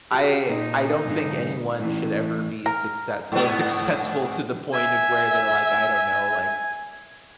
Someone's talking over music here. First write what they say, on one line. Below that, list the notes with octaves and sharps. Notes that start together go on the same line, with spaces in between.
I I don't think anyone should ever be a success so successful to the point of where they're like, I don't know, like,
F#4 G4
A#2 D#4
B1 G#2 D3
A2 E3
A#4
G#2 B3
E5 G#5